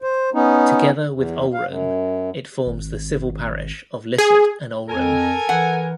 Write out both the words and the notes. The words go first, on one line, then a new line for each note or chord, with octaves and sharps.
Together with Ulrome it forms the civil parish of Lissett and Ulrome.
C5
B3 C#4 D#4
E2
F5
F#2
G#1
G#4
F2 A4 A#4 G#5
E3 F#5